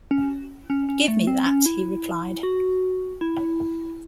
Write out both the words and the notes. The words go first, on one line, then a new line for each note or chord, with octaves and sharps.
Give me that,’ he replied.
C#4
C#4
C#4
A3
C4
C#4
E4
F#4
E4